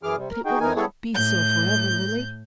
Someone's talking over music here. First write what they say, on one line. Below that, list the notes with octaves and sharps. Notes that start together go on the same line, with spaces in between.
"But it will not be so for ever, Lily."
F#2 E3 G#4 D6 F6
C3 G3
A#4
D#4 F#4 G#4 G5
F2 E3 D#4 A#4 G#5
G3 B3 E4 G#4 A4 C#5
A2 G6